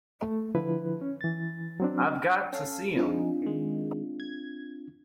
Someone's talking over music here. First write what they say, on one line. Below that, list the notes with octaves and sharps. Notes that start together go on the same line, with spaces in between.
I've got to see him.
A3
D3 F3 E4 B4
C#4
E3 A6
F#3 C4 D4
C#4 A4 F5
F3 C4 D4 D#4 F4 G#4
D#3 G#3
G#6